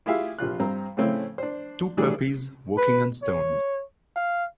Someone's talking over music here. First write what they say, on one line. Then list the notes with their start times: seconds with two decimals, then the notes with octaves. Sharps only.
Two puppies walking on stones.
0.06 E4 F4 G4 G#4 E5 F5
0.39 A#1 C3 F4 F#6
0.59 G2 C4 A#5
0.97 A2 C#3 A3 C4 C#4 E4
1.38 D4 C5
1.97 E3 F#3 G3 A3 D4 G#4
2.77 B4
3.23 C#5
4.16 F5